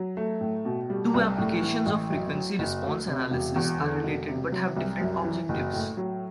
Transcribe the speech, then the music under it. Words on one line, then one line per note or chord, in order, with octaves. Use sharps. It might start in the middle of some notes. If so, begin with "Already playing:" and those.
Two applications of frequency response analysis are related but have different objectives.
Already playing: F#3
A3
A2
B2
G3
C2
A2
E3
A1
F#2
F#3
F#1
D2
C3
E1
E2
D3
E1
C3
F#3
C2
F#2
E3
F#1
A2
F#3